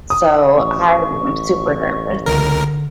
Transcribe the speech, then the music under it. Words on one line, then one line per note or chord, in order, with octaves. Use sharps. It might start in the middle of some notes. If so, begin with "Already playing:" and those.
So, I am super nervous.
D#6
A1 C#6
C#2 D3 A#4